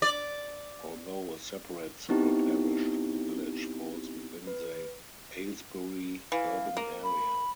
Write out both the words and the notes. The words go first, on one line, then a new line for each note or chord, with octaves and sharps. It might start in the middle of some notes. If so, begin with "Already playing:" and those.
Although a separate civil parish, the village falls within the Aylesbury Urban Area.
D5
B3 C4 D#4 E4 G4
B4
E3 F5
A#3
B5